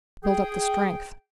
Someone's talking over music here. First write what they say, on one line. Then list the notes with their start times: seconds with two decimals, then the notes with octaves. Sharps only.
Build up the strength.
0.24 G#4 G5